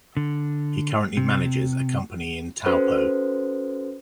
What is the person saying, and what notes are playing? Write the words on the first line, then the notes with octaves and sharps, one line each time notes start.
He currently manages a company in Taupo.
D3
C3
C#4 F#4 A4 B4 C5